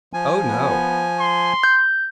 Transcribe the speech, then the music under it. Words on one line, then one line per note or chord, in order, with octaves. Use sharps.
"Oh, no!"
F3 G#5
B3
C6
G6